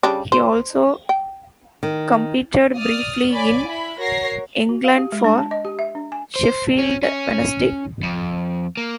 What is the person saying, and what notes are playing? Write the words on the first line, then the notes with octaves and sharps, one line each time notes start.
He also competed briefly in England for Sheffield Wednesday.
C#3 G3 D4
C5
G5
D#3
D5 D#6 F6
C#5 D5 G#5 B5 D6
E4 B5
F#4 A#4 C#5 A#6 C7
F#4
F5
G4
G#3
D4
A5
D#5
G4
E5
D4
G#5
C5
C#4
C#4
F2
A#3